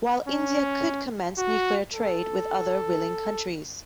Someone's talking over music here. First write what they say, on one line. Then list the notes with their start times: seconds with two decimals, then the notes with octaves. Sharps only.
While India could commence nuclear trade with other willing countries.
0.28 C#4
1.38 F#4
1.94 A4